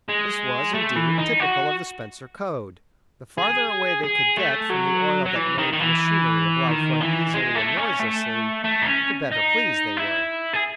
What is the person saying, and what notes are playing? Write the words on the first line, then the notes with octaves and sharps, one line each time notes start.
This was, indeed, typical of the Spencer code--the farther away they could get from the oil that made the machinery of life run easily and noiselessly, the better pleased they were.
G#3
A3
E3
D#4
F#4
G#4
G#4
A3
F#3
F#3
E3
D#3
D#3
E3
D#3
E3
G#3
A3
C#4
A3
A3
D#4
C#4
D#4
E4
G#4